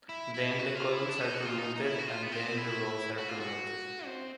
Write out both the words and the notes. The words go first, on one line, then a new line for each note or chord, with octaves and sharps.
Then the columns are permuted, and then the rows are permuted.
E4
E4
F#4
F4
E4
D4
D#4
F#4
F4
D#4
D#4
E4
F#4
F4
B3
C4
E4
F#4
F4
F#4
C4